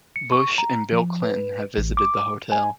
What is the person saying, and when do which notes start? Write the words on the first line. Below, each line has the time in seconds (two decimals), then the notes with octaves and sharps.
Bush, and Bill Clinton have visited the hotel.
0.16 C#7
0.32 C#6
0.58 A#5
0.92 F3
1.23 B4
1.77 A1
1.97 D6
2.52 G#5